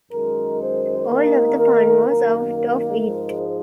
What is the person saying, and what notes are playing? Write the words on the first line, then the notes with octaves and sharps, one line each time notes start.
All of the fun was out of it.
F#2 D#3 G#3 A#4
C5
D#2 D#3 A#3 A#4
A#4
F#2 D#3 A#3 A#4
A#4
G#2 F3 G#3